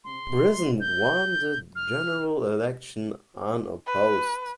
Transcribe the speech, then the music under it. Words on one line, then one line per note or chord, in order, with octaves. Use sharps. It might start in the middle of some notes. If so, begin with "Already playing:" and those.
Brisson won the general election unopposed.
C6
G6
F6
B4